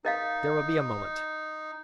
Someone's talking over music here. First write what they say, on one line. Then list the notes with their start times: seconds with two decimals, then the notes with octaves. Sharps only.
There will be a moment!
0.05 D#4 A#4 D#5 F5